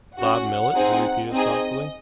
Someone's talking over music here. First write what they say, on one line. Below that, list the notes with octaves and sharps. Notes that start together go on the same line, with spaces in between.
"Bob Millet," he repeated thoughtfully.
C#4 F#4 F#5
C4 D#4 G#4
C4 D#4 G#4 D#5